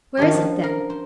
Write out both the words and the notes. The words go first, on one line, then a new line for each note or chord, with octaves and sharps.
"Where is it, then?"
D#3 C#4 D4 G4 C6
F3 F#4
A#4
C5